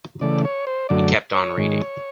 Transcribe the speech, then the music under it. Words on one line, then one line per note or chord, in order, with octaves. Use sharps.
He kept on reading.
C#3 E3 A3 D5
C#5
C5
F#2 D3 F#3 A3 D5
C#5
G#2 D#3 G#3